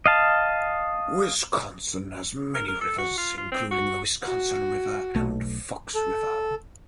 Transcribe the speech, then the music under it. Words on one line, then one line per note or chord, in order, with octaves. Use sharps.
Wisconsin has many rivers including the Wisconsin River and Fox River.
D#5 F5 A5
A#4
A#4
A4
F#4
F4
F4
C4
F#4
F#4
B1 A3
A4